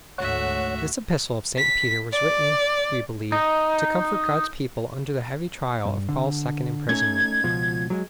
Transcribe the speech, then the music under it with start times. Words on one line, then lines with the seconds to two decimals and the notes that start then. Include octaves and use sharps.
This Epistle of St. Peter was written, we believe, to comfort God's people under the heavy trial of Paul's second imprisonment.
0.18 D2 G#2 A3 F#4 C#5 E5 F#5
1.58 B6
2.13 D5
3.32 D#4
5.86 G2
6.09 D3
6.89 A3 C#4 D#4 G#6
7.44 C#2 B2 F3
7.90 F#3 G#3